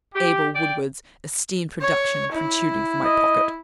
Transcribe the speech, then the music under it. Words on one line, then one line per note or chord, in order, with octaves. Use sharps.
Abel Woodward's esteemed productions protruding from my pocket.
G4
D5 G5
C#5
E4
D#5